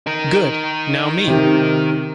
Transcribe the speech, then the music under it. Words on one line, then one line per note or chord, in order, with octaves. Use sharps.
Good. Now me.
D#4 A#4
C3 D#3